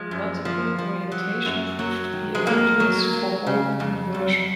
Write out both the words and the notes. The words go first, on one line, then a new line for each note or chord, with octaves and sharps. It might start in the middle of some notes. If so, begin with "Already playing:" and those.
The vertical orientation proved to be a hindrance for home conversion.
Already playing: F3 G#3
F#2
F3
F3
F#3
F#2
F#3
D#3
G#3
F2 A#3
F#3
F#3
C#3
F2
F2